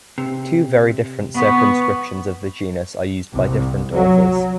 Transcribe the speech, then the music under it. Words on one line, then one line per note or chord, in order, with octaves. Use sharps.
Two very different circumscriptions of the genus are used by different authors.
C3
B3 C#6
C2
F#3